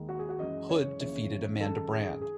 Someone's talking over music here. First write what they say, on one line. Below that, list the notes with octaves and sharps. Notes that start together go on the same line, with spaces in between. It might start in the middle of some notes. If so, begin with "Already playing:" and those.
Hood defeated Amanda Brand.
Already playing: D#2 D#3 G#3
F#4
G#4
F#4
F#2 E3 G#3 D#5
C#5
D#2 C#3 E3 C#5
F#2 D#3 G#3 A4
G#4
G#4